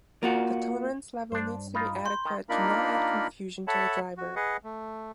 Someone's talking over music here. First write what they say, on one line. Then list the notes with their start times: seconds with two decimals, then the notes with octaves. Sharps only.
The tolerance level needs to be adequate to not add confusion to the driver.
0.23 A#3 F4 F#4
1.32 G2 D4 C5
1.75 D#4 F4 B5
2.06 C6 G6
2.25 D#3
2.49 A#3 D4 D#4 F4 A#4 B5
3.67 A4 C#5 E5 F#5 A5 B5
4.18 F#4
4.36 G#4 B4 D#5 F#5
4.64 A3